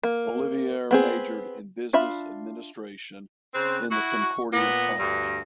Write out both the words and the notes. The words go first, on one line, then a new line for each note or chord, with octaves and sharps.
Ollivierre majored in Business Administration in the Concordia College.
A#3
B3 C4 G#4
D4 F4 E5 B5
C#3 C4 F#6
E4 F#4 C#6
A#2 B3 A#6
D2 G2